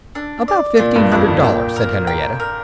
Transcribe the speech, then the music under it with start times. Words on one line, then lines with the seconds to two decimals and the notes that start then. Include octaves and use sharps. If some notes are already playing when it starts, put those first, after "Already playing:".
"About fifteen hundred dollars," said Henriette.
0.15 D4
0.48 D5
0.79 A#2 D4
0.96 G2
1.12 F2 D5
1.28 G2
1.43 A#2 G5
1.76 A#4
2.07 G5
2.40 A#4